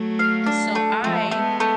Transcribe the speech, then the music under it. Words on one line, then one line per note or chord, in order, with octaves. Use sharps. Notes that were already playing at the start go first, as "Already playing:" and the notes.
and so I
Already playing: F#3 A3
F5
D4
A3
F3 G#3 A3
G#3 A3 B3
A3